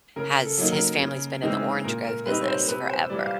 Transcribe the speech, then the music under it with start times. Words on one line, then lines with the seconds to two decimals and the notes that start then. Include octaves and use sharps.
has his family's been in the orange grove business forever.
0.16 C#3 A#4
0.44 A4
0.58 F#3 A#3 D#4
0.72 A#4
1.00 C#3
1.42 E3 G#3 C4 D#4
1.84 A#2 A#4
2.05 A#4
2.26 G3 C4 D#4 B4
2.41 C#5
2.47 C5
2.68 C3 B4
2.89 C5
3.10 E3 G3 D5
3.24 F5